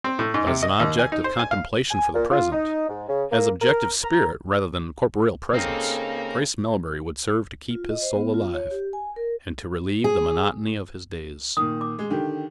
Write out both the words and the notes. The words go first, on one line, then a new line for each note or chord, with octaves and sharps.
But as an object of contemplation for the present, as objective spirit rather than corporeal presence, Grace Melbury would serve to keep his soul alive, and to relieve the monotony of his days.
C4
A2
G#2
C3
D#5
D#2
G#5
D#4
C5
G#5
F5
G#5
A#2
F4
D#4
G#2
C#3
A#3
A#4
A#5
C#3 A#3 C4 D#4 G4 A4
F4
D#5
C5
B3
F4
C#5
G4
G#5
A#4
G#4
A#2 D#3 D#6
D6
G#3
D3 D#3 G4